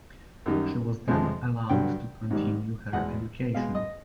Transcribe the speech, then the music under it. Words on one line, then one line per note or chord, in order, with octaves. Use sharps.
She was then allowed to continue her education.
F#2 D#3 G3
F2 C3 F3 G#3
G2 D3 F#3 G5
G#2 D#3 G3
E2 B2 G#3 F#5
B2 G#3 F5
D#5